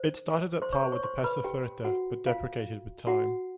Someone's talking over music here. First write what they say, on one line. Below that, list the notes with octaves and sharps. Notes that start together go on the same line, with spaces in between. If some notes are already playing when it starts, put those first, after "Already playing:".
It started at par with the peso fuerte, but depreciated with time.
Already playing: C5
C5 C6
C#5 C#6
C5 C6
C#5 C#6
C5 C6
B4 B5
G4 G5
F#4 F#5
F4 F5
F#4 F#5